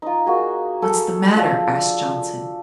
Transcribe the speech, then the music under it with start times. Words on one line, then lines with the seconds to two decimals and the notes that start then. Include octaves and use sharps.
"What's the matter?" asked Johnson.
0.02 D#4 F4
0.26 A#3 F#4 G#4
0.82 G#4 A4
1.34 F3 D4